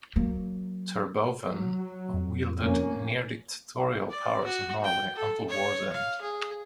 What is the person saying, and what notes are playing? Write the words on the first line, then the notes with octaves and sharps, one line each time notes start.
Terboven wielded near-dictatorial powers in Norway until war's end.
F#3 A#3
F#3
F2
F1 A#3 C#4
D5
F#4
G5
A4
C#5
F5
G#4